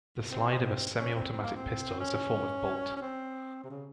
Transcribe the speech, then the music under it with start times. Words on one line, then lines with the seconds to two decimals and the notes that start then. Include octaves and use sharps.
The slide of a semi-automatic pistol is a form of bolt.
0.31 C4
0.99 C#4
1.15 C4
1.32 C4
1.43 A#3
1.56 C4
2.00 C#4
2.96 C#4
3.01 C4
3.64 C3
3.70 C#3